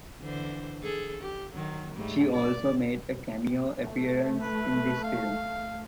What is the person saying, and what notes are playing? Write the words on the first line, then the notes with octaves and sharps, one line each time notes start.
She also made a cameo appearance in this film.
D3 E3 C5
G#4 A4
G4
D#3 F#3
G#2 G3 A3
D5
A3
B4
F5